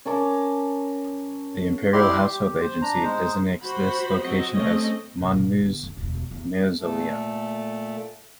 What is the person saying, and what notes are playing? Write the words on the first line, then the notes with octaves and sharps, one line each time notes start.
The Imperial Household Agency designates this location as Monmu's mausoleum.
C#4 A#4 A5 D6
E4 G4 D5 C6
G4
C5
D4 A#5
G#3 D#4 C5
F#4 C5 B5
F#3 C4 F#4 D#5
A3 C4 C#4 D#5
C3
A#2 D4
D3 B3
F#2
E1 D2
E2
A#2 A3 A4